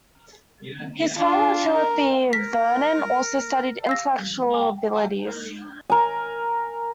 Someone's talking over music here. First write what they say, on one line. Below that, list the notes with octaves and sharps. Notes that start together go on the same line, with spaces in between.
His father Philip E. Vernon also studied intellectual abilities.
D4 F4
A#4
A#4 B6
F5 E6 A#6
A#4 G#5